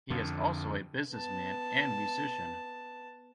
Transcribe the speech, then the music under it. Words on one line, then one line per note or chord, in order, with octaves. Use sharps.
He is also a businessman and musician.
F2 D3
B3 A5